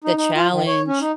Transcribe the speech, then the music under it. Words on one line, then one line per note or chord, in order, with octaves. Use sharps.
The challenge.
D#4
D#4
F4
D#3
C#5
C#4
D#4